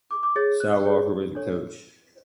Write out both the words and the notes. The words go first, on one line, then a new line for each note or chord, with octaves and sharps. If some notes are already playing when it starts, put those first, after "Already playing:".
Sal Walker was the coach.
D6
D6
G#4 C#5 A6
F#6
G#4 C#5
D4 A4 C#5